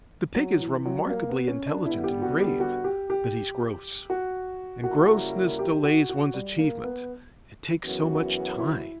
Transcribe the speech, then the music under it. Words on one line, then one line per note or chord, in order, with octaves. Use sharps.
The pig is remarkably intelligent and brave,--but he's gross; and grossness delays one's achievement, it takes so much time.
F#3
E3
F#3
G3
A#3
B3
C#4
D4
D3 G3 B3 E4
G4
F#4
G4
F#4
G4
G4
F#4
C#3 G3 A#3 E4 F#4 A#4
G4
F#4
F#4
G3
A#3
B3
F#2 C#3 E3 B3 F#4
E4